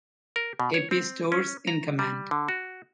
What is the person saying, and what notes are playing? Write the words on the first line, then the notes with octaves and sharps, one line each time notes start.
A. P. Storrs in command.
A#4
B2
C#5
C4
C#4
A#5
G3
D3
F#4